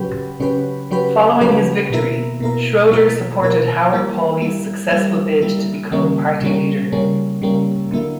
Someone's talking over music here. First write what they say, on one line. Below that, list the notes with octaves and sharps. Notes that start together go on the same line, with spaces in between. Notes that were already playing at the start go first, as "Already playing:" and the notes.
Following his victory, Schroeder supported Howard Pawley's successful bid to become party leader.
Already playing: C#3 F#3 C#4 G4 B4
C#3 F#3 C#4 G4 B4
C#3 F#3 C#4 G4 B4
C#3 F#3 C#4 G4 B4
B2 A#3 E4 A#4
B2 A#3 E4 A#4
B2 A#3 E4 A#4
B2 A#3 E4 A#4
G3 A#3 E4
G3 A#3 E4
G3 A#3 E4
G3 A#3 E4
C#3 G3 A#3 C#4
C#3 G3 A#3 C#4
C#3 G3 A#3 C#4
C#3 G3 A#3 C#4
D3 F#3 A#3 E4